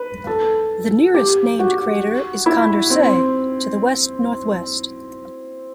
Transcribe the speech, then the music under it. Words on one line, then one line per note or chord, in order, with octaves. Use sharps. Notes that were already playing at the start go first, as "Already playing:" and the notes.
The nearest named crater is Condorcet to the west-northwest.
Already playing: B4
A4
G4
F#4
E4
C4